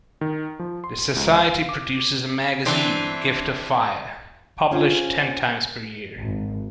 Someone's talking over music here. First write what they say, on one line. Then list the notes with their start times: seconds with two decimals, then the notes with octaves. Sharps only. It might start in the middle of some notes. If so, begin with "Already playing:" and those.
The society produces a magazine, "Gift of Fire", published ten times per year.
0.21 D#3
0.59 F3
0.84 C6
1.16 C#2
1.36 F5
1.69 D6
2.65 E3 C4 D4
4.71 C#4 F4 G#4 C5 C#5
6.19 G#1